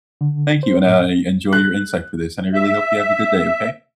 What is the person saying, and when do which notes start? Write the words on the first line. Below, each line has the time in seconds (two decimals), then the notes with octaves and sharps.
Thank you, and I enjoy your insight for this, and I really hope you have a good day, okay?
0.21 D3
0.63 C5
0.87 A2
1.53 F#6
2.54 E5